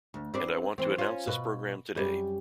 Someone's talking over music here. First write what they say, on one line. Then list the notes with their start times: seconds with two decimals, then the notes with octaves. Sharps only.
And I want to announce this program today.
0.14 D2
0.34 C4 B4 D5
0.78 E3 C4
0.98 C#4 F4
1.27 B2 B4
1.95 F#2 G3